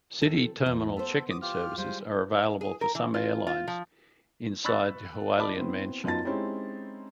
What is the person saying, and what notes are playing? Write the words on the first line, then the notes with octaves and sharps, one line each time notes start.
City Terminal check-in services are available for some airlines inside the Hualian Mansion.
C4 A4
E2
B3 A4 C5
D6 D#6
F4 G4 F6
G3 G#3 F4 C5
G#4
A#4
E3
F4
F4
F3
B5 C#6 E6 F#6 A6
D5 D#5 A5 B5 D6
B3 C4 E4
F#2 B3 D#4 F4 A5 A6
G#3 C4 C#4 D#4 E4 G4